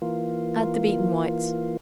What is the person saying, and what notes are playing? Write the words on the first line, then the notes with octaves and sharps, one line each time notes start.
Add the beaten whites.
E3 A#3 F4